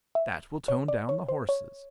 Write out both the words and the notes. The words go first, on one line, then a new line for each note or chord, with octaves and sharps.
That will tone down the horses.
E5
C#5
D5
C#5
C5
C#5